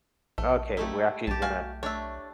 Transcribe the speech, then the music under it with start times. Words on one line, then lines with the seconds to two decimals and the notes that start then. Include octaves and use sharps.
Okay, we're actually gonna
0.38 A#1 A3
0.77 G3 A3 D#4 E4
1.27 B1 G4 A5
1.42 F#4 F5 G#5
1.83 A3 D4 C#5 E5